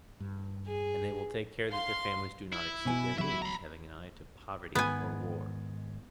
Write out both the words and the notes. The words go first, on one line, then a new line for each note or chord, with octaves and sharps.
And they will take care that their families do not exceed their means; having an eye to poverty or war.
G2
G#4
F5 C6
E4
B2 G#5
F#3 E5 B5
A#5 B5
G#2 D#3 B3 G#5